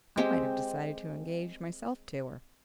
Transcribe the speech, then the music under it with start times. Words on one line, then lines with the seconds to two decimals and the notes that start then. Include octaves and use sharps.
I might have decided to engage myself to her.
0.17 G#3 C4 G4